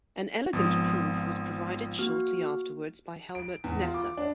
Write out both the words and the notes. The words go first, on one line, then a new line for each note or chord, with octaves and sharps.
An elegant proof was provided shortly afterwards by Hellmuth Kneser.
G#1 F3 B3 D#6
A#3 F#4 F6
D7
E2
F4
D6
D4